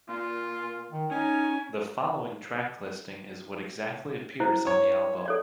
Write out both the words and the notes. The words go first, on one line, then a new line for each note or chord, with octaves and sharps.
The following track listing is what exactly appears on the album.
A#2 F4
D#3
C#4 D#4 G#5
E4 C5
C#5
A4 C#5 D5